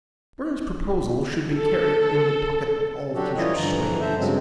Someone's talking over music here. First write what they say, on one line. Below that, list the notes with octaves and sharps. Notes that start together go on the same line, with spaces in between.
Bernard's proposal should be carried in the pocket of all future swains.
A4
F#3 D4 F#4 G4 A4
E3 G3 E4 F4 C#5 D#5
G2 D3 E3 F3 A#5
A4 C5 E5
G2 C#3 F#3 G#3 C4